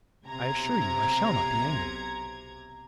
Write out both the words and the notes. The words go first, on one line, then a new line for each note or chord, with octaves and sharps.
"I assure you I shall not be angry with you."
B1 C3 A#5 G#6